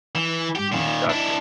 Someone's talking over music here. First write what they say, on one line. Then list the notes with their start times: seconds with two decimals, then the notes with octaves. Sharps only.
Mm, got you.
0.15 E3
0.56 G4
0.72 A#2 D#3
1.09 D4 E4